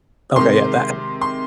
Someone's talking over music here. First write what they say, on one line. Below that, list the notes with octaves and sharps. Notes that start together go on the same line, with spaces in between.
Okay, yeah, that
C3 D#3 G#3 C6
C6